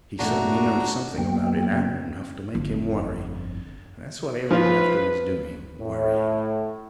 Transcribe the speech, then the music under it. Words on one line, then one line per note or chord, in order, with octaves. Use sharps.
But he certainly knows something about it, and enough to make him worry. That's what Aaron Grafton is doing--worrying.
E1 G2 A#2 A3 C#4 D4 F#4 A#5
F#2 F#3 A#3 B3 G5
G1 F2
F3 F4 B4
A2